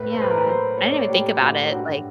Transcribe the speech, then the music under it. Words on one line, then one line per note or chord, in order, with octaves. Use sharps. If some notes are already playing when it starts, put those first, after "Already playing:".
Yeah. I didn't even think about it. Like
Already playing: A2 B4
A2 C5
B4
A#4
B4
F#3 C5
A#3 C#5
D5
C#5
A2 G4
A2 F#4
G2 F#4